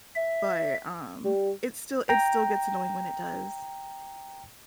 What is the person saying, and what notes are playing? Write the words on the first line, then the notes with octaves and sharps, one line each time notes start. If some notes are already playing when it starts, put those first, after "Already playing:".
but, um, it still it still gets annoying when it does.
E5
G3
G5 A#5